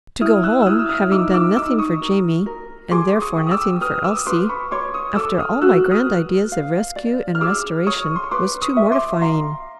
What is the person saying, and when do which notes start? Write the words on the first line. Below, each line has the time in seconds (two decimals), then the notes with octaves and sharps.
To go home having done nothing for Jamie, and therefore nothing for Elsie, after all my grand ideas of rescue and restoration, was too mortifying.
0.21 E4 D#6 F6
0.44 E6 F#6
0.62 E6
0.66 E4 D#6 F6
0.79 E6
0.89 D#6 F6
1.11 D#4 D6 E6
1.34 D6 E6
1.56 D#4 D6 E6
1.78 C#6 D#6
2.01 A#4
2.46 A#4
2.91 G#4 C6 D6
3.12 D6
3.21 C#6 D#6
3.36 G5
3.46 D#6
3.51 D6 E6
3.81 B4 D#6 F6
4.04 D6 E6
4.16 D#6
4.26 B4 C6 D6
4.49 B5 C#6
4.71 C#5 C6 D6
4.94 C#6 D#6
5.16 A4 D6 E6
5.38 D#6 F6
5.62 F#4 E6 F#6
5.91 D#6 F6
6.06 B4
6.52 F5
6.96 D5
7.35 F6
7.41 G#4 D6 E6
7.87 C#5 C#6 D#6
8.16 C6
8.24 C#6
8.31 B4 C6 D6
8.62 C#6 D#6
8.77 E5
8.92 C6 D6
9.21 F5 A#5 C6